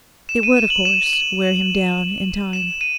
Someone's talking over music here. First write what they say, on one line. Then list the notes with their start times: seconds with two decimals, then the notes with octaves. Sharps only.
It would, of course, wear him down in time.
0.29 E7
0.43 D#7
0.57 E7
0.70 F#7
0.85 E7
1.03 E7
1.13 F#7
2.53 E7
2.81 D#7